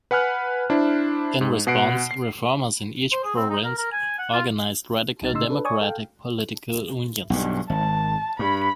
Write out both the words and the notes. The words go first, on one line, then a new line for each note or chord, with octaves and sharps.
In response, Reformers in each province organized radical democratic political unions.
B4 F#5 G#5 F6 F#6
D4 E4 C5
G#2
B2 F#5 C7 D7
C7
C5
G#4
C4
D#4
A#4
A#4
G#5
F#5
F4
C2 D#4 A6
A2 C#3 D#4 C6 E6
D4 A4 B4
C#5 D5 G#5 C#6 D#6 G#6
A4 F5 G5
B1 G2
G#1 A5
G2 B5